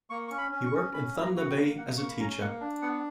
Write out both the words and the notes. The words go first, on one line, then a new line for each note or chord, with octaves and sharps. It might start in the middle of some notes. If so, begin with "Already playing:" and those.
He worked in Thunder Bay as a teacher.
A#3 C#6
C#4 C#6
B5
C#4
C#6
C#4
C#4 B5
A#3
A#5
F#4 F#5
G5
A#3
A#3 F#5
A#3 C#6
B5
C#4 A#5
A#3 F#5
D4
B3 F#5